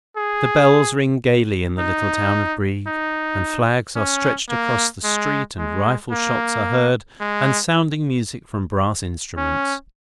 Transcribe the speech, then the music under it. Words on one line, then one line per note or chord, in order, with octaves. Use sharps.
The bells ring gaily in the little town of Brieg, and flags are stretched across the street, and rifle shots are heard, and sounding music from brass instruments.
G#4
D#4
D#4
C#4
A#3
G#3
G#3
A#3
G#3
C#4